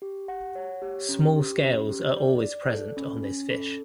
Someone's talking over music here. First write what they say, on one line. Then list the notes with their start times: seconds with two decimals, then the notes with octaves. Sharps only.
Small scales are always present on this fish.
0.02 G4
0.28 F#5
0.55 C#5
0.82 G4
1.09 C#4
1.36 G4
1.62 C#4
1.89 G4
2.16 D5
2.43 D5
2.70 A4
2.97 C#4
3.23 C#4
3.50 A4